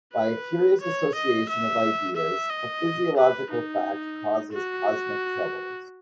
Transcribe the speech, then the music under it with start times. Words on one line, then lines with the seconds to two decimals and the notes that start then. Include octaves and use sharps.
By a curious association of ideas, a physiological fact causes cosmic troubles.
0.14 B4
0.81 C#5
1.15 D#5
1.49 E5
2.16 E5
2.50 D#5
3.17 B4
3.51 D#4
4.52 F#4